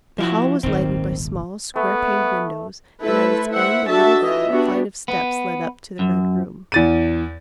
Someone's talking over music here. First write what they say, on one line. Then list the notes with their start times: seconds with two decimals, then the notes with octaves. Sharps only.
The hall was lighted by small, square-paned windows, and at its end a little flight of steps led up to the Red Room.
0.18 F3 E4 F#4
0.63 D#1 G#1 D#3 C4
1.76 A3 B3
3.02 A3 E4 A4 B4 C5 E5
3.49 E4 C5 E5 F#5
3.88 D4 F#4 A4 E5 A5
4.21 E3 F4 D#5 E5
4.51 B3 D4 F#4 G4
5.08 B3
5.99 F#2
6.72 E2 A6 D#7